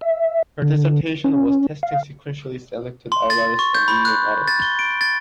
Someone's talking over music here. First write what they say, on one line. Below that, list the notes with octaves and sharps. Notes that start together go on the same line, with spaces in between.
Her dissertation was "Testing Sequentially Selected Outliers from Linear Models".
E5
D3
C#4
F5
C6
A6
C#6
G6
B5
F#6
A6
G7
D7
A6